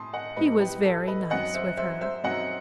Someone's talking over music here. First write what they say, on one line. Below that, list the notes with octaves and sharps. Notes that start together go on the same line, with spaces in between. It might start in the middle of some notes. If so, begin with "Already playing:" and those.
He was very nice with her.
Already playing: A2 A5 C6 D#6
D#5 F#5
A2 G3 C4 D#4 B4 D#5
G4 B4
A4
B4 D#5
F#2 F#3 C4 D#4 D#5 F#5
C5 E5
C5 E5
C5 E5
F#2 F#3 C4 D#4 D#5 F#5